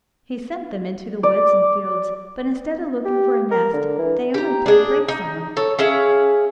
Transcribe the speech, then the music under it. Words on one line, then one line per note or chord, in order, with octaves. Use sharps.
He sent them into the woods and fields, but instead of looking for a nest they only played pranks on him.
D5
G4
A#4
D3
E3
G4 A#5
D4 G#4
D#4
A4 C#5
C#4 G#4 E5 F5